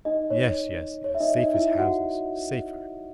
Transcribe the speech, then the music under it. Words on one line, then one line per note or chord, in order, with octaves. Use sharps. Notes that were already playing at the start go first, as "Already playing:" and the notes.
"Yes, yes, yes; safe as houses--safer."
D#4 D#5
C#5
C#5
E5
D#4 D#5
D#4 D#5
E4 E5
F#4 F#5